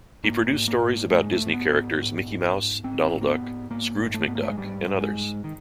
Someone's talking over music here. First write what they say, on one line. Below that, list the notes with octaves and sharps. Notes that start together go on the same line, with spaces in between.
He produced stories about Disney characters Mickey Mouse, Donald Duck, Scrooge McDuck and others.
G#2 A#3
G#2
A#3
G#2
G#2 A3
G#3
A3
G#2
B3
G#2
G#2
G#2
G#2
G#2 C4
G#2
A#3
B3
G#2
G#2 A#3
G#2
A3
G#2 B3
A#3
A3
G#3
G#2 G3
G#2
G#3
G#2
D#3